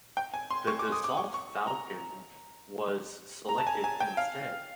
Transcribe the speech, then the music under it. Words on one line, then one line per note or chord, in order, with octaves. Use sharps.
The Dassault Falcon was selected instead.
G5
G#5
C6
C#6
D6
D#6
D6
C#6
C#6
A#5
A#5
A5
G#5
G#5
G5
F5